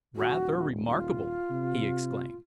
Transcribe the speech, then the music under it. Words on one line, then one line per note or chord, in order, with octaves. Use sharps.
"Rather remarkable!" he exclaimed.
D#1 F#4
F4
C3